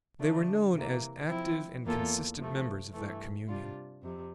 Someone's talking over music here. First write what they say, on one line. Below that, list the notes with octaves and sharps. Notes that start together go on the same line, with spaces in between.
They were known as active and consistent members of that communion.
D3 F3 A3 D4
C3 E3 A#3
F3 C4 E4
E2 E3 A#3 F4 A4
C3 F3 A3
G2 E3 A3
C3 G3 D4 F4
F2 C3